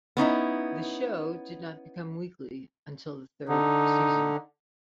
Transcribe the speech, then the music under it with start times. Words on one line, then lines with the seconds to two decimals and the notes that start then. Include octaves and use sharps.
The show did not become weekly until the third season.
0.17 B3 C#4 D#4 E4
3.49 D3 D#4